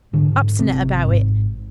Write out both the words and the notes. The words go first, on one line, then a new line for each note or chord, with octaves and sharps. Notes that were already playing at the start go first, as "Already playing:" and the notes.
Obstinate about it.
G#2 D3 D4
G#1 C3 C4
G#2